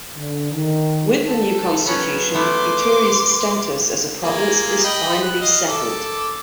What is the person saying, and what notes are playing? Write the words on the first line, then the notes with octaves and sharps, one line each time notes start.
With the new constitution, Ituri's status as a province is finally settled.
D3
D#3
A4
F#3 B3 C#4
A3 B3 E4 C6 D6
A#3 F4 G#4
D#5 G5 B5
F#5
D#5 F5
A4 D6